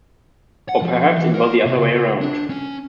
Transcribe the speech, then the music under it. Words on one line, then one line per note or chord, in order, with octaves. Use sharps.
Or perhaps it was the other way around.
F#5
F3
E3
A#4
C3
C#3
D4
C#4